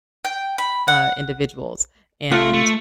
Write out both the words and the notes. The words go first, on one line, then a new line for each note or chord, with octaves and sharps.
uh, individuals, and
G5
B5
F#5
A3 F4 A4
A3